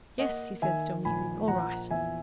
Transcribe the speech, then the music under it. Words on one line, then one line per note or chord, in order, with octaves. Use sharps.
"Yes!" he said, still musing, "all right!"
A#3 D#5 F#5
D#3 E5 G#5
A#1 G#5 B5
A#1 F#5 A#5
E2 E5 G#5